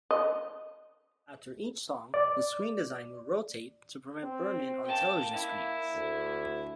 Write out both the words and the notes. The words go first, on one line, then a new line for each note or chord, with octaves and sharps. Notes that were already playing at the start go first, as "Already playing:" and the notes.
After each song, the screen design will rotate to prevent burn-in on television screens.
D#5
D5
C4
A#3 G5 A5
E4
D2